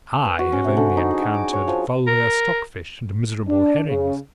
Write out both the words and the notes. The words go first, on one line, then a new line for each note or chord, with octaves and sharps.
I have only encountered vulgar stockfish and miserable herrings.
B4
F#4
C#4
C3
D3
D#4
G#4
F#4
D6
C#5
F3
A#4
D4
C#3